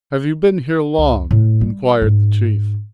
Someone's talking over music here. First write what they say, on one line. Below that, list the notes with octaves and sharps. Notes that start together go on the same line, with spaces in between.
"Have you been here long?" inquired the Chief.
C#2
A2
G3
G#2